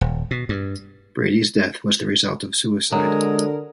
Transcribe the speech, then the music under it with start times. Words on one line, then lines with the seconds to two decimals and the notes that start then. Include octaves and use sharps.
Brady's death was the result of suicide.
0.01 D#1
0.31 B2
0.49 G2
2.93 D3 F#3 G#3 A#4